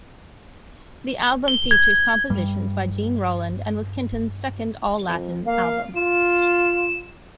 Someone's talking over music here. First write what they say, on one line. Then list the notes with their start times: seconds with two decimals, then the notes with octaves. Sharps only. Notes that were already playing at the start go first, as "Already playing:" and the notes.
The album features compositions by Gene Roland, and was Kenton's second all-Latin album.
1.48 G7
1.71 G#6
2.30 G2 G3
5.07 F2
5.46 A#3 F5
5.95 F4 E7